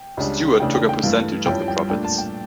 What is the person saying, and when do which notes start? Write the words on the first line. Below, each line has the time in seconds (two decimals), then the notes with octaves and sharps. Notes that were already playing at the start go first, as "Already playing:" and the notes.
Stewart took a percentage of the profits.
Already playing: G5
0.17 C#2 C#3 G3 D4
0.60 C#3 E3 A3 D4 G5
0.74 G5
0.89 G5
1.03 G2 E3 A3 F5
1.46 G2 F3 C#4 E4 G5
1.68 G5
1.90 A#2 A3 D4 G5
2.05 A5
2.18 G5